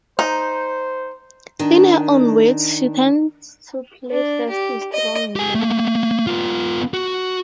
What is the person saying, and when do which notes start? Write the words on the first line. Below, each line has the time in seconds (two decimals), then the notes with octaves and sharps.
In her own words, she tends to play "feisty, strong women".
0.19 D#4 C5
1.59 D#3 D4
4.10 D4
4.49 G4
4.93 D#5
5.36 G4 G#5
5.55 A3 A#3
6.27 B3 F4
6.94 F#4